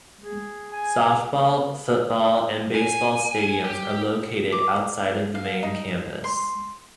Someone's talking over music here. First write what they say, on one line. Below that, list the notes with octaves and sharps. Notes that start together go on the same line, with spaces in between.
Softball, football, and baseball stadiums are located outside of the main campus.
G#4
G#5
G#5
G4
D6
F5
D#4
C6